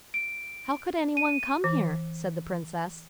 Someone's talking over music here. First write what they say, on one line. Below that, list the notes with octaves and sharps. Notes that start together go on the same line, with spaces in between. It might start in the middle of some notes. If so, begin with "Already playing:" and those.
"How could any one come here?" said the Princess.
D7
D#7
E3